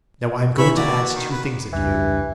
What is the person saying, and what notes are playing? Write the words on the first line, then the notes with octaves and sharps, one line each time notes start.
"Now I am going to ask two things of you."
E3 C#5 E5 B5
A#3 F#4 D5 A#5
D#3
B4
F1 C#2 G2 E3